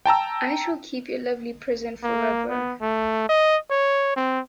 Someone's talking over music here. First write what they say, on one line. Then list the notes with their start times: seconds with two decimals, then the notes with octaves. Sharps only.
I shall keep your lovely present forever.
0.06 G5 A5 A#5 E6
2.03 A#3
2.50 B3
2.81 A3
3.29 D#5
3.70 C#5
4.16 C4